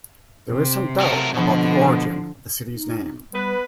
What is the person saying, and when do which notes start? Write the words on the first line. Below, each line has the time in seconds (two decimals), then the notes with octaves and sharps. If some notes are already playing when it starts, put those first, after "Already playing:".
There is some doubt about the origin of the city's name.
0.50 C3
1.00 F#3 A3 A#4
1.34 B2 D3 F3
2.74 D#4
3.32 G3 B3 B4